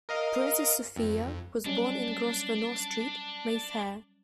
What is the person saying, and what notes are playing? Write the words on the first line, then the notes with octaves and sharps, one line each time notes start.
Princess Sophia was born in Grosvenor Street, Mayfair.
A#4 D#5 F5
F2
F#3 G3 C#4 D4